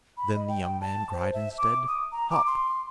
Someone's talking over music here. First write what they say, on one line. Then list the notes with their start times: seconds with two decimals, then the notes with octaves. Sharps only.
Then the young man cried instead, 'Hop!
0.17 B5
0.36 D#5
0.49 G5
0.81 A5
1.12 C5
1.34 E5
1.58 D6
1.87 D#6
2.12 A#5
2.31 D6
2.47 C6